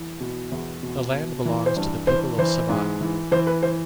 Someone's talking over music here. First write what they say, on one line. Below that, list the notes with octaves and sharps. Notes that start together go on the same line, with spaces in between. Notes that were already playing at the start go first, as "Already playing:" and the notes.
The land belongs to the people of Sabah.
Already playing: E3
B2
E2
B2
B2
E3
C5
G2
E3 C5
E3 C5
G#2
E3
E3 C5
B4
E3 C5